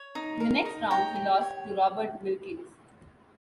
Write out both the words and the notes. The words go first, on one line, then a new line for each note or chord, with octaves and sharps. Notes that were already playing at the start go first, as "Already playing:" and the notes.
In the next round he lost to Robert Milkins.
Already playing: C#5
D#4
A#4
D#4
C#5 G5 A#5
G4
C#5